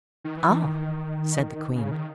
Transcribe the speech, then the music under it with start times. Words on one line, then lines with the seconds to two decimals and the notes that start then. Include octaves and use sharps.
"Ah!" said the queen.
0.24 D#3
0.37 E3
0.50 E3
0.62 D#3
1.75 C#3
1.91 D#3